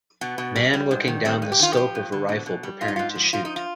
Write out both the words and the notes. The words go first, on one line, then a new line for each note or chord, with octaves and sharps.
Man looking down the scope of a rifle preparing to shoot.
B2 B3
B2
G3
G3
G#2
D#3
G3 C4
G2
G4
D#3 F4
F3 G4
G2
D3
B2
B2
G3
G#2 F4
D#4
G#2 F4
F3
F3 F4
D#4
F4